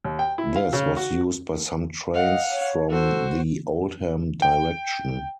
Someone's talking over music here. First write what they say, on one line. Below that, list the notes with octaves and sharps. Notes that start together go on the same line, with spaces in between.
This was used by some trains from the Oldham direction.
D#2
G5
E4
F5
C#3
F#4
D#5 F5 F#5
C#5
F#4 A4 C5
G5